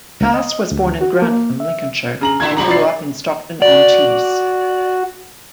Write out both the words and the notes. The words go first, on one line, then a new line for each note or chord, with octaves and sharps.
Cass was born in Grantham, Lincolnshire, and grew up in Stockton-on-Tees.
C#2
D#5
D2
F#4
A#3
E5
C#3 A#5 F#7
A2 D3 E4 G#6
B2 F3 G3 A#5 F#7
D5 C7
F#4 D5